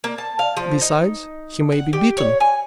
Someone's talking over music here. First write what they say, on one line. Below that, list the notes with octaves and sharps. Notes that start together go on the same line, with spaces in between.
Besides, he may be bitten.
A#3
A5
F5
F3
D#4
F#5
G4
C#5
G#5